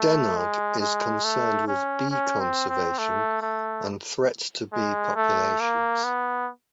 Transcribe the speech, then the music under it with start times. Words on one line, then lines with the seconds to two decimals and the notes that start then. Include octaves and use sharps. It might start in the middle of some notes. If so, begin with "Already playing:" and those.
Dennard is concerned with bee conservation and threats to bee populations.
Already playing: A3
0.37 G#3
0.80 G#3
1.24 A3
1.68 C#4
2.10 C#4
2.40 C4
2.69 C4
2.98 A3
3.42 A3
4.72 G#3
5.16 A3
5.60 A#3
6.04 B3